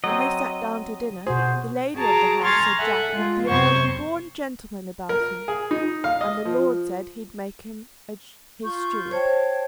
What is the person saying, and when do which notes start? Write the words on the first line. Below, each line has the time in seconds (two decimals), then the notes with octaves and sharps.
When they sat down to dinner, the lady of the house said Jack had the air of a born gentleman about him, and the lord said he'd make him his steward.
0.04 F#3 C4 D#5
1.27 B2 F#4 G#4 C5
1.97 F#4 G#4 A5 A#5 D6
2.44 G#5 A#5 C6 C#6 F6 A6
2.77 A4 E5 F#5 G#5
3.12 G#3 F4
3.48 F#2 C3 B3 C5 C#6 G#6
5.09 A#4
5.48 G#4
5.71 D#4
6.04 F5
6.21 D#5
6.45 F3
8.62 F4 C#6 G6
9.11 C5 C#5 G5 A5 G#6